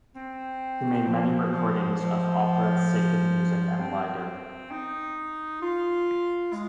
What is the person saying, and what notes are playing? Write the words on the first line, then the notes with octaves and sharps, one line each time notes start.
He made many recordings of opera, sacred music, and lieder.
C4
F3
F3
F3
C4
D#4
F4
G#3